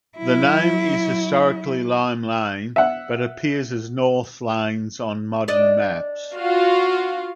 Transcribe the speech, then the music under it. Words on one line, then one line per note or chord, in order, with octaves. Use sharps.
The name is historically Lime Lane but appears as North Lanes on modern maps.
F#3 E4
E5 F#5
D4 D5 D#5
F4 F#4 F5